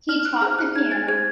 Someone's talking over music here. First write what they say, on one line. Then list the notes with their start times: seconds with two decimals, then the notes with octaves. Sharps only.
He taught the piano.
0.09 D#4 F6
0.25 F#6
0.41 G#4 C5 F6
0.59 F#6
0.75 D#4 G#6
0.92 A6
1.08 G#4 C5 G#6